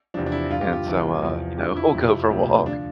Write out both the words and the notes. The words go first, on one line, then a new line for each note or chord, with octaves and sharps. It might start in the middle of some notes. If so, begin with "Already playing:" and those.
And so, uh, you know, we'll go for a walk.
E2 C3 F3 D4
D4
E4
G2 F3 F4
G4
F4
C2 C3 E3
E2 C3 F3
F2 D3 F3 G4
E4
F2 C3 F3
D2 C3 F3
D3 F3 D4